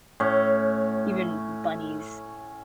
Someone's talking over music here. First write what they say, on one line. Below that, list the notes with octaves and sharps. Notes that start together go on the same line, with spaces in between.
even bunnies.
A2 C#4